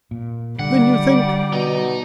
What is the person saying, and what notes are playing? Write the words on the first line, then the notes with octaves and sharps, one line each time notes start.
"Then you think--?"
A#2
D3 G3 D5 F#5
B2 D#4